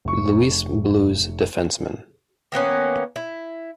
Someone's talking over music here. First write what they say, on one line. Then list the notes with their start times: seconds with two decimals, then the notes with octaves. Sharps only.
Louis Blues defenseman.
0.05 F1 C#6
2.52 D#3 A#3 B3 C#4
3.16 E4